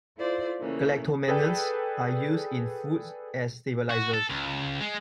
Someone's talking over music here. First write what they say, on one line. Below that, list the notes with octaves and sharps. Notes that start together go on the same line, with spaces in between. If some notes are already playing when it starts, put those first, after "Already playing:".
Galactomannans are used in foods as stabilisers.
E4 F4 A4 C5 D5
C#3 E3 A3 A#3
G#4 A4 B4 D5 G5
F#4
A4
C#2
G#3